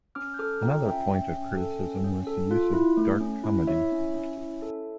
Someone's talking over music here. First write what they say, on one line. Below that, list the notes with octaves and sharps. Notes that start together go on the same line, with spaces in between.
Another point of criticism was the use of dark comedy.
C#4 D6 F6
G6
A4 D6 F6
F4 G5 A#5
C#4 E5 G5
C#4
C#4
A4
C#4
C#4
A4
F4
E4
A3
C#4
E4
E4 C#5 E5
C#4
C#4
E4
A4